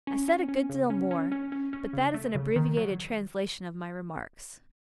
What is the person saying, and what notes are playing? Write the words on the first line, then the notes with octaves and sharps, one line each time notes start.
I said a good deal more, but that is an abbreviated translation of my remarks.
C#4
C#4
C#4
C#3
C#4
C#4
C#4
C#4
C#4
C#3
A3
C#3
D#3
F#3